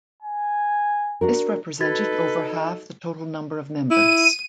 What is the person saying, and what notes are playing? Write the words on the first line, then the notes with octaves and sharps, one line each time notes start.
This represented over half the total number of members.
G#5
D4 F#4 A#4
D#4 F#4 A4 B4 G#6 A6
E4 D#7